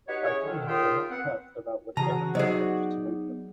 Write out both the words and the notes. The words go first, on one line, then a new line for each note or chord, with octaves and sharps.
My feelings are not puffed about with every attempt to move them.
D#4 F#4 G4 B4 C#5
C#4 E4 G#4 C#5
D3 D#3
D#2 A#3 F4 G#4 E5 G5
B3 C4 F#5
C#3 E3 F#4 G#4 A5 A#5
F#3 B3 D#4 G#4 C5 D5 D#5